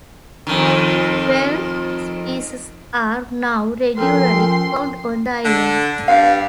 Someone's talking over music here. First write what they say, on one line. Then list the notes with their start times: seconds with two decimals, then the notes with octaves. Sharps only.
Twelve species are now regularly found on the island.
0.47 F2 D#3
3.98 F3 C#4 A4 A#4 G5 C6
5.44 D3
6.08 G2 F5